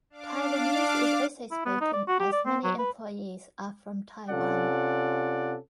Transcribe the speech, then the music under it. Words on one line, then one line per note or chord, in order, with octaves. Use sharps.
Taiwanese is also spoken as many employees are from Taiwan.
D4 F5 D6
E4
B3
D#4
D5
F#4
G4
D5
C4
F#3
B4
C3 C#4 F4 A4 D5 F#5